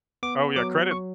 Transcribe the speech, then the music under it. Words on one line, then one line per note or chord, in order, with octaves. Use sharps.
Oh, yeah credit
B3 D6
F#3 D6
C#6